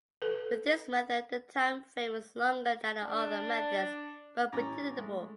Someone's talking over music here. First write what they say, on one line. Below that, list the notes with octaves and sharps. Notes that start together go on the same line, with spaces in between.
With this method the time frame is longer than the other methods but predictable.
A4 B4
D4
A1 C#4 A#5 D6 A6 A#6
G#3 A3